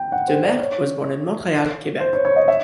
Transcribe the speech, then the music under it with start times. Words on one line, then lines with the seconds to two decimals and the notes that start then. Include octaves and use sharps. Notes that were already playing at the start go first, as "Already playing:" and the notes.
Demers was born in Montreal, Quebec.
Already playing: G5
0.12 F#5
0.28 C5
0.43 D5
0.59 C#5
2.00 C5
2.13 C#5
2.25 C#5
2.36 D#5
2.48 E5